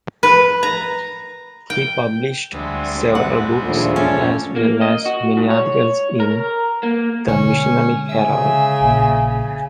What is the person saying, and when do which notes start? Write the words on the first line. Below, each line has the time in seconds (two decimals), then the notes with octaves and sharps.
He published several books, as well as many articles in "The Missionary Herald".
0.23 B4
0.63 A#5
1.70 G5
2.52 D2 G3 G#3 C4
3.15 F#5
3.62 D#2 A#2 C#3 F3 A3 D4
3.96 E2 C#4 A4
4.56 A#3
4.81 D#5
5.06 F#4
5.37 G#2
5.50 C#5
6.20 A#4
6.83 A#3
7.28 B2 D3 G#3 C#4
8.10 C#3 E5 G#5
8.81 A#1 A#2